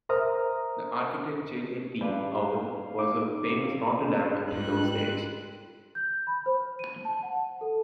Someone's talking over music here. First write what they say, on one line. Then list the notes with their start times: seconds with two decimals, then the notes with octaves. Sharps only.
The architect J. J. P. Oud was a famous Rotterdammer in those days.
0.09 A#4 C5 E5 A#5 D#6 F6
2.01 G2 B4 D5 F5
2.99 D#4 D6
4.52 G#2 G3 F4 G5 F#6
5.95 G6
6.27 B5
6.46 C5
6.79 D#7
7.05 A5
7.23 F#5
7.61 A4